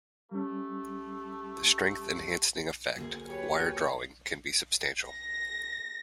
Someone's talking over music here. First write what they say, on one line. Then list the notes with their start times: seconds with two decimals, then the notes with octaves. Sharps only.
The strength-enhancing effect of wire drawing can be substantial.
0.31 G3 A3 C#4 G4
2.96 D2 A#3 G#4
3.26 F#3 F#4 G4 B4 C#5
5.02 A#6